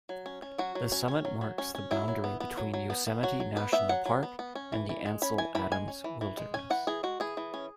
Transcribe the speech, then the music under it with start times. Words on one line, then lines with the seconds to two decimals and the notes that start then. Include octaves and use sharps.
The summit marks the boundary between Yosemite National Park and the Ansel Adams Wilderness.
0.09 F#3
0.26 C#4
0.42 C#4
0.58 F#3 F#4
0.75 F#3
0.92 C#4
1.08 C#4
1.25 F#3
1.41 F#3
1.58 C#4
1.75 C#4
1.91 F#3 E4
2.08 F#3
2.24 B3
2.40 B3
2.57 F#3
2.74 F#3
2.90 B3
3.07 B3
3.23 F#3 F#4
3.40 F#3
3.56 B3 B4
3.72 B3 E5
3.89 F#3 F#5
4.06 F#3
4.23 B3
4.39 B3
4.55 C#4
4.72 E3
4.89 E3
5.06 G#3
5.22 C#4 B5
5.38 E3 G#5
5.55 E3 B5
5.72 G#3 G#5
5.88 C#4
6.04 E3
6.21 E3
6.37 G#3
6.54 C#4 G#5
6.70 E3 F#5
6.87 E3 G#4
7.03 G#3 F#4
7.20 E3 G#4
7.37 E3
7.54 C#4